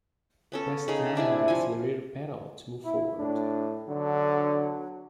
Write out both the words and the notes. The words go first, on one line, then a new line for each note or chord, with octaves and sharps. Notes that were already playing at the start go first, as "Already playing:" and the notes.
Press down on the accelerator pedal to move forward.
B3 C#4 A4
C#3 D#4 G#4
C3 D4 E4 G#5
F3 G#5
E4
A2 D4
B1 D3 F#3 D4